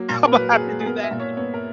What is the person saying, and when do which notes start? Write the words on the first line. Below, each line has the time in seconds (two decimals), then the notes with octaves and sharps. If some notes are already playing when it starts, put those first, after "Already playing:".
imma have to do that.
Already playing: F#3 A#3
0.09 A#2
0.27 A#4
0.35 F#3 B4
0.52 G#4
0.60 F#3
0.69 G#4
0.80 G#4
0.86 B3 A#4
1.03 E5
1.11 A#2
1.20 C#5
1.37 B3 C#5
1.54 A#4